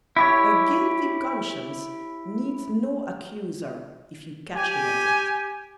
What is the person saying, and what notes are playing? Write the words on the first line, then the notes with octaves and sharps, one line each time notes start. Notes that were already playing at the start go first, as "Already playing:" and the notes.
A guilty conscience needs no accuser if you catch him at it.
E4 G4 C#5
G4 G#5